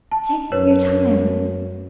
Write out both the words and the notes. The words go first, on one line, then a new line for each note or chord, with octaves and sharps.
Take your time.
A5
F#2 B4 C#5